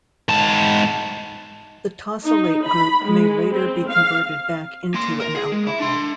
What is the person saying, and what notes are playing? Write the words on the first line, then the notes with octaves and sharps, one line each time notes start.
The tosylate group may later be converted back into an alcohol.
G#2 A5
D#4
B5
G#3
C4
F5
A#3 C6
A#4
G#4
G#3
E4
D4 C6